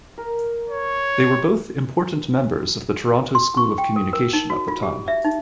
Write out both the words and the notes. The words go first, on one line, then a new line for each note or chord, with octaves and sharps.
They were both important members of the Toronto School of Communication at the time.
A#4
C#5
C6
C#6
G5
A4
A#4
D#4
F#4
F4
G4
E5
D#4